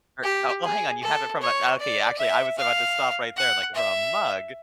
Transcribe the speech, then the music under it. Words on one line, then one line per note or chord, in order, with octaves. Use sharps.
Or oh, hang on. You have it from a okay, actually, I was about to stop right there, like, from a mug?
G4
G#4
A4
C#5
D5
E5
F5
F#5
E5